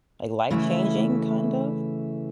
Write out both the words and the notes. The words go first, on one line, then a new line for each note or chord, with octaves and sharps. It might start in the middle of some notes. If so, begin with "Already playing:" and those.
A life changing, kind of?
C#3 E3 A3 E4